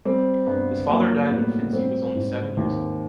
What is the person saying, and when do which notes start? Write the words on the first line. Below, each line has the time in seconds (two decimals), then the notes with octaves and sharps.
His father died when Finzi was only seven years old.
0.05 G3 C4
0.46 G2 B3
0.89 F#3 A#3
1.30 A2 B3
1.72 G3 C4
2.15 G#2
2.57 D#2